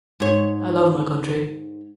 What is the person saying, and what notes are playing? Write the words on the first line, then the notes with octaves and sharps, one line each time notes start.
I love my country.
G#2 C#5